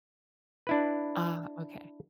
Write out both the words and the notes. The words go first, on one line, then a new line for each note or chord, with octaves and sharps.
Ah, okay.
D4 E4 B4